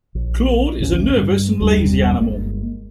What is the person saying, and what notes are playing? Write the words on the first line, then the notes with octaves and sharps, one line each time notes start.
Claude is a nervous and lazy animal.
A#1
A1 D2 C#4
G2
F#1 D#2 G3 D4
G1 G#3 A#3